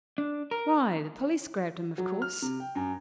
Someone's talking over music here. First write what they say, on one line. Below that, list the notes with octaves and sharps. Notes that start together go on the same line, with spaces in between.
'Why, the p'leece grabbed him, of course.
D4
A#4
F#3
F6
C3
G5
F#2